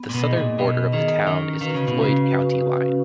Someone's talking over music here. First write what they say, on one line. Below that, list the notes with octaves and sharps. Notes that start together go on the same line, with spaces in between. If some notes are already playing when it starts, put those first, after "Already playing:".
The southern border of the town is the Floyd County line.
Already playing: B3
A#2
B2
D#4 G#4 D#5
A#2
B2 B3
D#3 D#4 G#4 D#5
D#3 C#4
D#3 F#4 B4 F5
C#3
B2
C#4
C#3
F#4 B4 F5